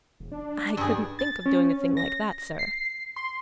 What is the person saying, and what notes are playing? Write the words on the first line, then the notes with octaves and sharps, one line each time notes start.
"I couldn't think of doing a thing like that, sir."
E1
D4
G2 G#4
A6
C#4
A#6
C7
C6